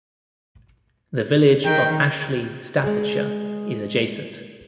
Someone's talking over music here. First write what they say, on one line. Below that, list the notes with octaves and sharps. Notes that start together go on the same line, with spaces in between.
The village of Ashley, Staffordshire is adjacent.
D#3 G5
G#3 G#4